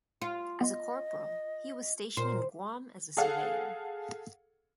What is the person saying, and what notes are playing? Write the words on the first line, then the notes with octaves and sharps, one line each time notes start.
As a corporal, he was stationed in Guam as a surveyor.
F4
B3 D#5 C6
A#2 A#4 C5
G#4 A4 F5 F#5